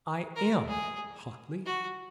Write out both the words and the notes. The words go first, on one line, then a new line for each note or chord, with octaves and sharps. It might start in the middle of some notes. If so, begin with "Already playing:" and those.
"I am!" hotly.
A#4
G#4
F#4